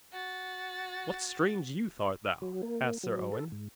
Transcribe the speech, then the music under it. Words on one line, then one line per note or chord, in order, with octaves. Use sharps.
'What strange youth art thou?' asked Sir Owen.
F#4 A6
F#3
A#3
F#3
A4
G#2